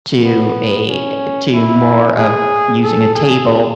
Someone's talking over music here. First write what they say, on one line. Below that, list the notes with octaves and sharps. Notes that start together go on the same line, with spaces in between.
to a, eh, to more of using a table
B3
C#4
E4
G#4
A4
G#4